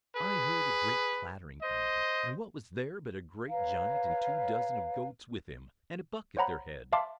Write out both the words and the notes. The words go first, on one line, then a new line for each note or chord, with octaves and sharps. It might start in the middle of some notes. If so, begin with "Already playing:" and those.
I heard a great clattering, coming, and what was there but a great giant and two dozen of goats with him, and a buck at their head.
G#4 B4
C5 D#5
B4 C#5 F5 A#5
C5 C#5 F#5 A#5 B5
E5 F5 A5 C6 D6